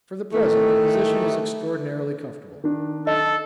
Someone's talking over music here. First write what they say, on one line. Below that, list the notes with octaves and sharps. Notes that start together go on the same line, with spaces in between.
For the present the position is extraordinarily comfortable.
D#3 E3 A3
D#3 D4
A4 D#5